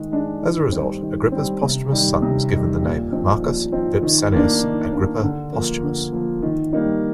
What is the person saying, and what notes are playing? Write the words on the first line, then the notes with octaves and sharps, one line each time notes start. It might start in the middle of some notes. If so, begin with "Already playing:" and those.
As a result, Agrippa's posthumous son was given the name Marcus Vipsanius Agrippa Postumus.
Already playing: D#3 G#3
G#3 D4
D#3
G3 C4
D#3
G3 C4
C3
D#3 G3
C3
D#3 G3
A#2
F3 C4 D#4
A#2
F3 C4 D#4
D#3
A#3 D4
D#3
A#3 D4
D3
F3 A#3
D3
F3 A#3
D#3
G3 A#3 D#4